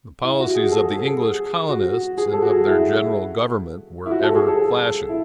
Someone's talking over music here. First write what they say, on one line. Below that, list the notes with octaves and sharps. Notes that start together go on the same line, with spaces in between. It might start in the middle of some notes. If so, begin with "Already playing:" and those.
The policies of the English colonists and of their general government were ever clashing.
E4
F#4
G#4
A4
G#4
A4
G#4
F#4
G#4
A4
F#4
G#4
E4
E4
F#4
A4
G#4
A4
E4